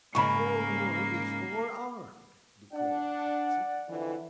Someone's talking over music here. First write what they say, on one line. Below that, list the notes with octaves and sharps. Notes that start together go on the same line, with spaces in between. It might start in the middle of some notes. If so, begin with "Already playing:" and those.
"Forewarned is forearmed," declared Patsy.
G#2 C#3 A#3 B5 C#6
D4 D5 F#5
F2 D3 E3